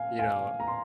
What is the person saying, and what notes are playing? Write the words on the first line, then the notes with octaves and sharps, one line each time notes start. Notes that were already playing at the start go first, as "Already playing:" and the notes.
you know
Already playing: F5 G#5
F5 G#5
A#5
C6